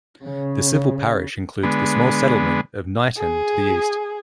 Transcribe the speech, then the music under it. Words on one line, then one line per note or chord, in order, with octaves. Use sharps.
The civil parish includes the small settlement of Knighton to the east.
C#3
D3 G#3 B3
G#4